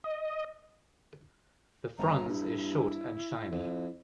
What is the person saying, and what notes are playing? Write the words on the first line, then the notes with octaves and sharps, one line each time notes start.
The frons is short and shiny.
D#5
G1 A#5
G2 E4
F2